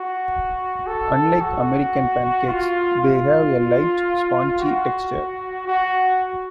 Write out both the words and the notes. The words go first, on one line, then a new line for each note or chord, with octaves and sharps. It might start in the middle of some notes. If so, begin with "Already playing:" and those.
Unlike American pancakes, they have a light, spongy texture.
Already playing: F#4
A4
F#4
F4
F4
F#4
F#4